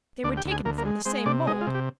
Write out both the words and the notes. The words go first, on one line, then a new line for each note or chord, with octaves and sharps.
"They were taken from the same mould."
D2 D4 D5
G4 G5
D2
G#4 G#5
D2 A#3 A#4
A#3 A#4
G#3
G#3 C4 C5
C3 D4 D5
G#3 D#4 D#5
F4
C3
G4